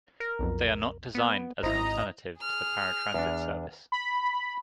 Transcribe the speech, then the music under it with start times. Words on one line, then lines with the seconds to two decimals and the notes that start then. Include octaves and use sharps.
They are not designed as an alternative to the paratransit service.
0.20 A#4
0.39 B1 F2
1.15 B3
1.63 G#1 E4 C5 D#5 A#5
2.39 G#4 F6
3.14 E2 D4
3.92 B5